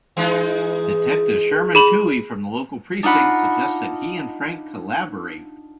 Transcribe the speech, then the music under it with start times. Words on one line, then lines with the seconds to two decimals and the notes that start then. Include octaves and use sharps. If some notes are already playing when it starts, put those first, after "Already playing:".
Detective Sherman Touhey from the local precinct suggests that he and Frank collaborate.
0.17 E3 G#3 D#4
1.75 G#4 B5 F#7
3.03 D4 D#4 F4 F#5 B5